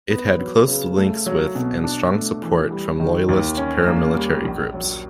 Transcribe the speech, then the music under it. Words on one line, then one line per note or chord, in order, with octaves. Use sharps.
It had close links with, and strong support from loyalist paramilitary groups.
B3
F#3
C#3
A3
F#3
B2
D4
A3
E3
G3
D#3
D#2
C#4
A#3
G3
A#1
F#3